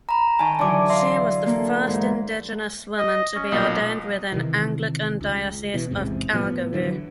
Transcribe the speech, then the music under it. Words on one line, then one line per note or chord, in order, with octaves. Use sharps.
She was the first Indigenous woman to be ordained within Anglican Diocese of Calgary.
A#5 B5
D#3 G#5 A5 C#6
D3 E3 F#3 A5 D6
E5 F5 C6
A#3 A4
G#2 E3
D#5
C#4
B1 A#2 D#5
C3 D#3 E3
C#2
B2 E3
A1 E2 G#2 C3
A2 F3 B3
D3 E3 F#3